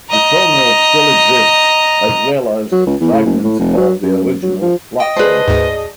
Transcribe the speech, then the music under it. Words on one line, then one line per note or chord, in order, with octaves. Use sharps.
The sawmill still exists as well as fragments of the original platform.
D#5 A#5
F#3
C#2
E2
A2
F#1
A2
F1
F#3
F#2
F#3
F3
D#5 G5
G#4 B4 C5 D5 A5
D2 G#2